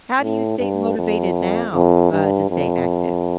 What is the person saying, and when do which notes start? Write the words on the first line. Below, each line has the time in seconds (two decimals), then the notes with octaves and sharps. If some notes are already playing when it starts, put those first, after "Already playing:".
How do you stay motivated now, uh, to stay active?
0.21 A2
0.59 G2
0.97 F2
1.74 F2
2.12 G2
2.50 F2